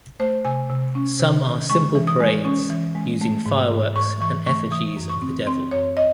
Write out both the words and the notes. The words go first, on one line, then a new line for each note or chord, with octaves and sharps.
Some are simple parades using fireworks and effigies of the devil.
A3 C5
C3 G#5
C3
C#4
C3
D#3
G#3 C#6
E3
D#6
G#3
C#4
E3
G#3
A3
G#2
G#2
G#2 C#6
E3 C#6
A3 C#6
E3 D#6
F#2
C#6
C4
C4 C6
F#2 C#5
D#5